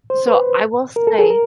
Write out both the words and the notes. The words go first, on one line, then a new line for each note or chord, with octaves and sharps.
So, I will say
C5
B4
A#4
A4
G#4
A#4